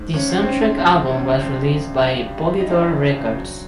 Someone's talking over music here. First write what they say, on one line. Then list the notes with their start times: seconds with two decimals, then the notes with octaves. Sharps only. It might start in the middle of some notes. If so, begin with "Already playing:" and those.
The soundtrack album was released by Polydor Records.
Already playing: G#2
0.13 G#1 C#4
0.30 C4
0.35 G#2
0.42 C4
0.45 C#4
0.56 G#2 C4
0.78 F1 C4
0.98 E2
1.09 C#4
1.20 C#3
1.41 F#2 C4 D4
1.63 C#3
1.85 F#2
2.05 G2
2.27 G3
2.48 G3
2.60 D#4
2.69 E3 C4 D4
2.90 C#3
3.12 C#3
3.34 F#3